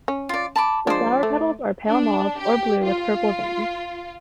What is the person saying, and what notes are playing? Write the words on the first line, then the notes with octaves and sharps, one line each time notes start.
The flower petals are pale mauve or blue with purple veins.
C#4
F4 D5
A5 B5 D6
F3 G#3 D4 C5 D5
A3
D4
G4
F4